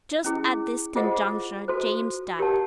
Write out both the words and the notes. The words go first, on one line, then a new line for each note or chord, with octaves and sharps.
Just at this conjuncture James died.
C#4 E4 G#4
F4 G#4 C5 D#5 F#5
F#4 A4 C5
G4 A#4 C#5 F#5 A5